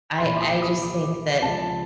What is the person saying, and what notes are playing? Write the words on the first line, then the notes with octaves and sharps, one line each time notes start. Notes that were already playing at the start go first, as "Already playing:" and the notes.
I I just think that
C6
C2 A#2 F3 B5
D6
D#6
D#6
D6
C#2 C#3 F3 A5